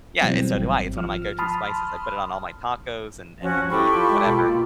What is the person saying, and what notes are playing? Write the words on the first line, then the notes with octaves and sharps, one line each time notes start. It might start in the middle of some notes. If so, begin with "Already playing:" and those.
Yeah, and so do I. It's one of my go to spices. I put it on all my tacos, and and meat, and whatever.
B2 E3 F#3 G3 C4
G#1
F3 F6
A5 B5 C6 D#6 F6
F3 C#4 F#4
E4 G4 A4 B5 C#6
F4
G#3
B2 F4
A#3